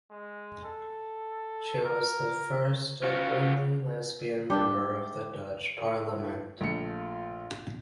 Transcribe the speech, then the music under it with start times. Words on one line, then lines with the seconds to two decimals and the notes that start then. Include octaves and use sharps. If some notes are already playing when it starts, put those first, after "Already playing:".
She was the first openly lesbian member of the Dutch Parliament.
0.11 G#3
0.65 A4
1.85 A#4
3.03 C#4 F4 F#4 C#5
4.50 G3 D4 G4 E5 A5
5.85 A2
6.61 A#1 A3 F4 C#7